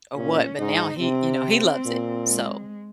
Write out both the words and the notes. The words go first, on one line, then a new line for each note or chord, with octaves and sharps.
or what, but now he, you know, he loves it. So,
A#2 C#4
G#2 D#4
C3 C4
A#2
G#3